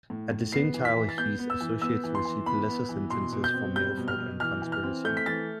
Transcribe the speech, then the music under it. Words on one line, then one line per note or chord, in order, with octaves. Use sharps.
At the same trial, his associates received lesser sentences for mail fraud and conspiracy.
A2
A2
B3 C7
E3
B6
E3
A6
B3 G6
B3
E6
E3
B3 E6
E3
C6
E3
B3 B5
B3
E3
B2 C6
B2
G6
C4
G3 G6
B2
F6
B2
E3 F6
E3
F6
C4
A3 G6
B6
E3 A6